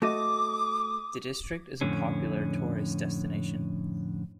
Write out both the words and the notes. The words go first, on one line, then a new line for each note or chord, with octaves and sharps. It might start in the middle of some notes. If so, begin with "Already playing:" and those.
The district is a popular tourist destination.
A3 F#4 D#5 D6 D#6
F2 A2 D3 C#4